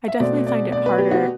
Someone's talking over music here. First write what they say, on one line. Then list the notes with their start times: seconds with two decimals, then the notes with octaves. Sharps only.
I definitely find it harder
0.08 E5
0.20 B2 A3 C4 D5
0.47 D5
0.73 D5
0.86 B4
0.98 G4
1.11 F#4